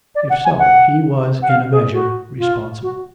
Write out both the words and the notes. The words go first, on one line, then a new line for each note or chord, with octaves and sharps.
If so, he was in a measure responsible.
D5
F#5
G#5
F#5
F#5
F5
G#4
F#4
F4
F#4